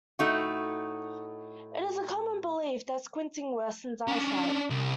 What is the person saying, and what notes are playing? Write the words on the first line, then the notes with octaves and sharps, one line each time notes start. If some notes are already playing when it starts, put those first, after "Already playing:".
It is a common belief that squinting worsens eyesight.
A2 A3 D#4 F#4
C#4 D4
C2